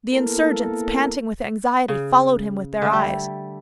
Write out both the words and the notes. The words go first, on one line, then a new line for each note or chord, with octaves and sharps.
The insurgents, panting with anxiety, followed him with their eyes.
A#3 B3 E4 A4 A#4
C#3
D3 A3
G3